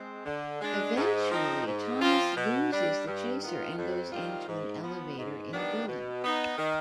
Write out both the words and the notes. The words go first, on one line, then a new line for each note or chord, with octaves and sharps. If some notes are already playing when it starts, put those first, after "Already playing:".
Eventually, Thomas loses the chaser and goes into an elevator in a building.
Already playing: G#3 C4
D3
G#3 D4
G#2
F3 C4 D#4
G#2
F3 C4 F4
B2
G3 D4
G2
D#3 B3 F4
F2
D#3 G3 C4 F4
G#2
F3 B3
G#2
D#3 G3 B3 D4
B2
B3 D#4
D#3